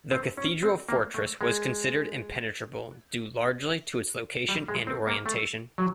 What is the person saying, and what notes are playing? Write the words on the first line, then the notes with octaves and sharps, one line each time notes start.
The cathedral-fortress was considered impenetrable, due largely to its location and orientation.
C4
C#4
C4
A#3
A3
G#3
G3
G#3
C4
A#3
A3
F#3